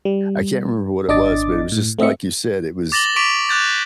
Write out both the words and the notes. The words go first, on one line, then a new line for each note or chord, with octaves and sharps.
I can't remember what it was, but it was just like you said, it was
G3
G#1 D4 D#5 D6 A6
A2
A3 C4 D#5 E5 C#7
D6 A6 A#6 E7 F#7 G7
C#6 D6 B6 D7 F7
D6 F#6 G6 A6